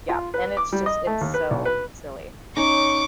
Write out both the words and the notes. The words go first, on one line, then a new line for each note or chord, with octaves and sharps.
Yeah, and it's just it's so silly.
F4
B4
D6
G3
D#5
A3
D#2
B4
B1
B4
C#4 D#4 C#6 D6